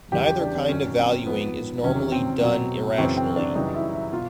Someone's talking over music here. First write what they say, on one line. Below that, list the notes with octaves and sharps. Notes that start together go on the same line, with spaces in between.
Neither kind of valuing is normally done irrationally.
E2 C#3 E3 G3 G4
G4
D4
C4
F#2 D#3 F#3 C#4
C4
G#2 F3 B3
E2 C3 D#3 F#3 C#4
C4
B2 F#3
F#2 C#3 E3 C4
C4
D4
F#2 C#3 E3 G3 D#4
E4
E4
B2 F4